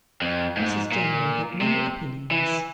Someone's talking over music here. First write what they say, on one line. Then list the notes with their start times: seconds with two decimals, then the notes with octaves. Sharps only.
Mrs General had no opinions.
0.22 F2
0.57 G#2
0.92 A#2
1.61 C3
2.31 E3